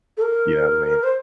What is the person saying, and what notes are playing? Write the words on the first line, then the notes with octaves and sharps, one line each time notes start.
You know what I mean?
A4
A#4
C5